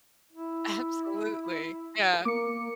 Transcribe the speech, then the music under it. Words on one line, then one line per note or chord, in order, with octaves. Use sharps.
Absolutely, yeah.
E4
A#3 D6 C#7